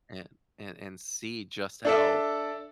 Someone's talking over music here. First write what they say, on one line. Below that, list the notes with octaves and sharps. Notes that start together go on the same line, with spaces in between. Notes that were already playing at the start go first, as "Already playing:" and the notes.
and and and see just how
D4 A4 E5